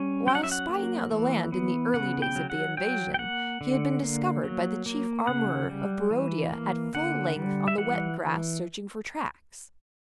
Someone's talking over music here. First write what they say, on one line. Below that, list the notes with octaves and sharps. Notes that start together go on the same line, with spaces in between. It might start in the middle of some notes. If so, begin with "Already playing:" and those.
While spying out the land in the early days of the invasion, he had been discovered by the Chief Armourer of Barodia at full length on the wet grass searching for tracks.
Already playing: G3 C#4
F#3 G5
F#5
E5
F#5
A#3
E3
B3
C#3 F#5
G5
F#3
F#5
F#3 G5
G5
A#3 F#5
D3
A#3
F#3
A#3
C#3 F#5
G3
E3
A#3
D3 F#5
G3
E5
E3 F#5